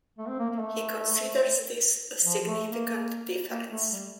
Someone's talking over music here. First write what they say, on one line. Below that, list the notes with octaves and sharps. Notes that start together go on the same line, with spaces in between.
He considers this a significant difference.
A3
C4
A#3
A#3
A3
F3
A3
A#3
A#3
A3
G3